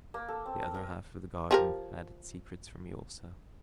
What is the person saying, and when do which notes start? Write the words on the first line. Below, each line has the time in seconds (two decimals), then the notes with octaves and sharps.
The other half of the garden had its secrets for me also.
0.14 A#3
0.28 A4
0.46 C4
0.62 A#4
0.74 A#4
1.51 F3 G4 A#4